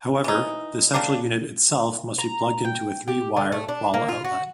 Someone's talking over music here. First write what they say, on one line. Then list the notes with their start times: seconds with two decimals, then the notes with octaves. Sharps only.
However, the central unit itself must be plugged into a three-wire wall outlet.
0.24 E3 D#4
0.94 C#3 G3 A#3 D4
2.18 A#5
2.65 G5
3.08 G4
3.37 D3
3.52 A3
3.69 D4
3.94 A#3
4.09 F4
4.24 F#4